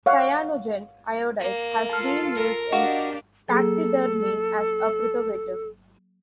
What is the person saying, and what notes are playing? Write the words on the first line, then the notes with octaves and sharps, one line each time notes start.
Cyanogen iodide has been used in taxidermy as a preservative.
C#5 F5 F#5
A#3
F4 A4 A5 F6
A#4
D4 F#4 G4 D#5 F5
F#3 A#3 G#4 A4